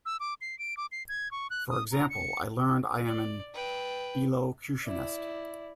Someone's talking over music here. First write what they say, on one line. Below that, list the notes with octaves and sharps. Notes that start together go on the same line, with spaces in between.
For example, I learned I am an elocutionist.
E6
D6
C7
D7
D6
C7
G#6
C#6
F#6
D#6
A#5
C#7
D5
B4 G5
E4 D5